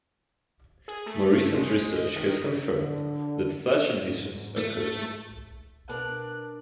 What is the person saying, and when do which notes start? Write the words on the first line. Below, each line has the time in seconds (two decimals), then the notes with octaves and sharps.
More recent research has confirmed that such additions occurred.
0.88 G#4
1.06 A3
1.23 A3
1.54 G#3
1.96 D#5
2.16 D#3
2.65 D3
4.00 G#2
4.57 A3
5.89 B2 D4 A#4 A5 F#6